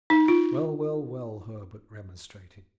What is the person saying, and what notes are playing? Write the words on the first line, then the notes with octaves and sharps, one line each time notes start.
"Well, well, well!" Herbert remonstrated.
D#4
F4